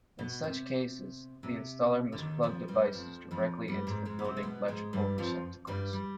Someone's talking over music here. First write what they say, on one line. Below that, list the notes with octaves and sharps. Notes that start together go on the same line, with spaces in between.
In such cases, the installer must plug devices directly into building electrical receptacles.
B2
C3
C3
D3
D#2 D#3
F2 F3
G2 G3
F2 F3
F2 F3
G2 G3
G#2 G#3
G#2 G#3
B3
C3 C4
G#3
B2 B3
G#2 G#3
G2 G3
F2 F3
G2 G3
G3